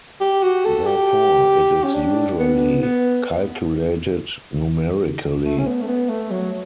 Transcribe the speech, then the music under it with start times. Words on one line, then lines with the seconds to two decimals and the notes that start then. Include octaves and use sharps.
Therefore, it is usually calculated numerically.
0.21 G4
0.43 F#4
0.65 A4
0.86 G4
1.84 C#4
1.95 D4
2.39 B3
2.82 B3
5.45 A3
5.59 C#4
5.66 B3
5.82 A3
5.88 B3
6.09 A3
6.31 F#3